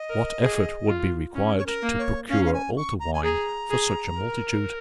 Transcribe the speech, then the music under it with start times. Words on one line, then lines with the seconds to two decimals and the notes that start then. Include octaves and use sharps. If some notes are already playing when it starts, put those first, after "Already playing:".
What effort would be required to procure altar-wine for such a multitude?
Already playing: D#5
0.10 A#4
0.42 G#4
0.88 F4
1.35 C#4
1.58 C#5
1.66 A#4
1.83 A#3
1.99 C#5
2.30 C#4 F5
2.45 F5
2.54 G#5
2.77 C#6
3.00 A#5
3.13 G#5
3.23 G#4 A#5
3.70 G#4
4.17 A#4